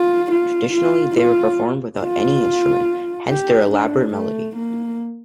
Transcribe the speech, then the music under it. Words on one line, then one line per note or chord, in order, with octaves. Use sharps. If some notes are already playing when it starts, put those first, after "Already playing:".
Traditionally, they were performed without any instrument, hence their elaborate melody.
Already playing: F4
F4
F4
F4
F4
G4
D4
A3
A#3